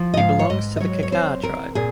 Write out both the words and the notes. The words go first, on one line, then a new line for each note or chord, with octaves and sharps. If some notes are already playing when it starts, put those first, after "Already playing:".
He belongs to the Kakar tribe.
Already playing: F3
D#5
G#2 F5
C#5
G#2 D#5
D#5
F#3 C#5
C#5
C4 C5
C4 A#4
A#2 G#4